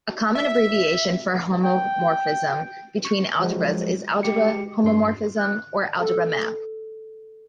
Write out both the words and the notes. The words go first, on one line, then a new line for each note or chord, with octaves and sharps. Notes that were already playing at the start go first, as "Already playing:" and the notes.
A common abbreviation for "homomorphism between algebras" is "algebra homomorphism" or "algebra map".
E5
G5
C#6
F3 F#3 G#3
G#3 G4 C#7
G2 C6
F#6
A4